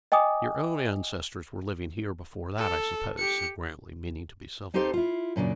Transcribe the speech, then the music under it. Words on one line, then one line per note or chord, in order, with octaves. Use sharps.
"Your own ancestors were living here before that, I suppose?" said Grantly, meaning to be civil.
D#5 G5 G#5 D6 D#6
A4
G4 C#7
C4 D#4 G4 A4 C5 F5
E4 F4
F#2 A#2 C#3 D4